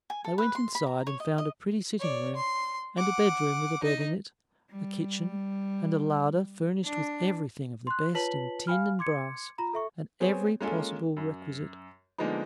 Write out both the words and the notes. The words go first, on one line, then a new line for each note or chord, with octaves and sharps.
They went inside and found a pretty sitting-room, and a bedroom with a bed in it, a kitchen, and a larder furnished with everything of the best in tin and brass, and every possible requisite.
G#5
A4
B4
C6
B5
A#5
C#5
D#5
D#5
C#5 D5
C6
F#5 D6
D#4 D#5
G3
D4
C6 F#6
F4 B4 C#5 A5 B6 F#7
F5 G5 G#5 B5 F6
C6 D6 G#6 C#7
F4 A#5 B5
A4 E5 C#6
B3 C4 G#4 C#5
G#3 A#3 C#4 F4 A4 G#5
F#2
D3 F3 G#3 A#3 B3 D#4